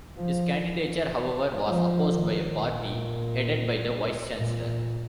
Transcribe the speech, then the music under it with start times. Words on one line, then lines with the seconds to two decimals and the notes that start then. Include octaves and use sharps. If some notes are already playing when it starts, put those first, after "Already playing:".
His candidature, however, was opposed by a party headed by the vice-chancellor.
0.17 F3
1.67 F3
2.12 D#3
2.58 A#2
4.38 A#2